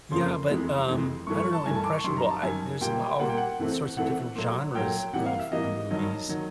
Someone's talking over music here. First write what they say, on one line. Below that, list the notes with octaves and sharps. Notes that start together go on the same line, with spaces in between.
Yeah, but, um, I don't know, impressionable I there's a lot of sorts of different genres of movies,
F2 C#3 F3 A#3 C6
F2 C3 E3 G#3
F2 C3 E3 G#3
G2 E3 A3 C#6
C#6
A5
G2 E3 A3 G#5
A5
D6
C#6
F#2 D#3 G3 C6
A#5
A5
F#2 D#3 G3 G#5
A#2 G3 A#3 G5
A#2 G3 A#3 F#5
G5
F#5
C3 E3 A3 C4
C3 E3 A3 C4 F#5
A#2 F#3 A3
A#2 F#3 A3 G5
C3 E3 G3 A#3 F#5
F5
E5
C3 E3 G3 A#3 D#5
G2 D#3 F#3 D#5
D#3 F#3